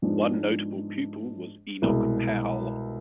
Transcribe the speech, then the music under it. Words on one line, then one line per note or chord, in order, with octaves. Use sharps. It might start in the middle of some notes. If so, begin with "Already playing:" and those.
One notable pupil was Enoch Powell.
G#2 F3 G#3 B3 D4
C2 B2 G#3